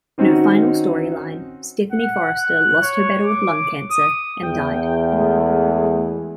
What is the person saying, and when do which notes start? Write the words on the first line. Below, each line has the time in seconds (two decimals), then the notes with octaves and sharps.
In her final storyline, Stephanie Forrester lost her battle with lung cancer, and died.
0.18 D#3 C4 C#4 D#4 F#4
1.92 F#5
2.34 F#6
2.82 C#5
3.23 D6
3.90 D#6
4.43 E2 G5
5.12 G#3 A3